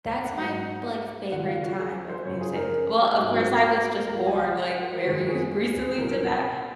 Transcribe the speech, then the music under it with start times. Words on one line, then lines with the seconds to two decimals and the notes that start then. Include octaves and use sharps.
That's my, like, favorite time of music. Well, of course I was just born, like, very recently to that.
0.24 F#5
0.38 G#2 F#3 F#5
1.32 D#2 C#3 F3 G#3 F#5
1.47 F5
1.63 F#4
1.79 G#4
2.09 C5
2.25 F#2 C#3 F3 C#5
2.41 G#4
2.56 A#4
3.18 G#2 F#3 G#4
3.34 F#4
3.65 F#4
3.90 C5
3.96 A#4
4.12 C#2 C#3 F3 G#3 F5
4.27 G#5
4.43 F#5
4.58 F#5
4.70 F#5
4.82 C5
4.93 A#4
5.04 F#2 D#3 G#3 F#4
5.28 G#4
5.98 C2 A#2 F#3 A#4